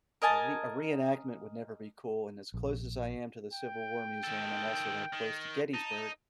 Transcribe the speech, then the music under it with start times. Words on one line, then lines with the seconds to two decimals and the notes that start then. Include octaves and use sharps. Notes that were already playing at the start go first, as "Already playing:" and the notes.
A re a reenactment would never be cool, and as close as I am to the Civil War Museum, I'm also that close to Gettysburg
0.22 A#4 D#5 G#5 A5
2.54 A#1
3.53 G5
4.24 D#3 A4
5.13 D#3
5.74 D#4 A5